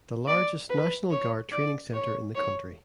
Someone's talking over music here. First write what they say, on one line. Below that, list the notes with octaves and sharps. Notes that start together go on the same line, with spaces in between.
The largest National Guard training center in the country.
D5
B4
C#5
D5
C#5
C#5